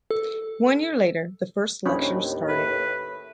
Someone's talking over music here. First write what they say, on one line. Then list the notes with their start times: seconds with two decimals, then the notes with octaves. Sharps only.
One year later the first lectures started.
0.11 A4
1.86 D#2 A2 C#4 D4 C5 B5
2.48 A4 B4 C#5 E5